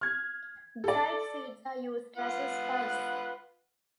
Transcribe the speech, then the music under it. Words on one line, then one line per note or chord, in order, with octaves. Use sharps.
Dried seeds are used as a spice.
F6 G#6
A4 D5
F4 B4 F#5